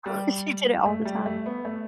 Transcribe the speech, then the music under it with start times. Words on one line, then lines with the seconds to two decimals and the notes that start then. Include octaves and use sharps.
Well, she did it all the time.
0.06 G3
0.86 A3
1.05 G3
1.26 A3
1.46 B3
1.65 A3